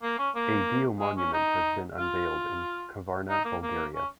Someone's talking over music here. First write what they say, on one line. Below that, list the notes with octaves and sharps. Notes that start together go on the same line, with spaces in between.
A Dio monument has been unveiled in Kavarna, Bulgaria.
A#3
C#4
A#3
G#3
C#4
D#4
F4
D#4
A#3
A#3
C#4